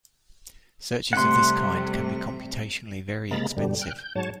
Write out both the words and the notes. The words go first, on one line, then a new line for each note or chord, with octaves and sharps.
Searches of this kind can be computationally very expensive.
C3 G3 A3 F#5 C6
C3 G#3 A#3 A#5 B5 A6
G2 B2 D3 G3
G5 F6 F#6
G6
G#2 F#3 C#5 A5